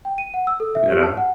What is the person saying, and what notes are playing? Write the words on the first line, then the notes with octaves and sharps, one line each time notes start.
you know?
G5
D#7
F#5
E6
A4
E5
G4
A5
F#5